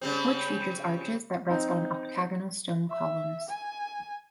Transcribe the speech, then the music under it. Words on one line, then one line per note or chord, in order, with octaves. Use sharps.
The porch features arches that rest on octagonal stone columns.
C#3 G3 C4
C4 D#4
E5
G#5